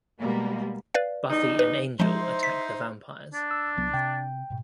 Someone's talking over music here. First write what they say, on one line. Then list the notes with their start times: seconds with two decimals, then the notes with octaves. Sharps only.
Buffy and Angel attack the vampires.
0.20 B2 G3 G#3 A#3
0.94 B4 D5 F5
1.30 E2 G3 D#4
1.59 B4
2.00 F3 G#3 D#4 E4 C5
2.43 B6
3.33 D4
3.51 E6
3.77 C2 C3 F#3 B3
3.94 C3 G5
4.50 G#2 B2